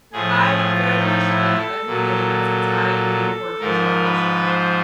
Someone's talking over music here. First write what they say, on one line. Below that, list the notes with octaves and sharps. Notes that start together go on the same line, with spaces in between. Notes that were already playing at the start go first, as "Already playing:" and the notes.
I'm very much a a heathen in that sense, I eat pork and shellfish and,
A2 F3 G#4
G#4
F4
D#4
E4
A4
A#2 F#3
G#2 F3 A#4
B4
C5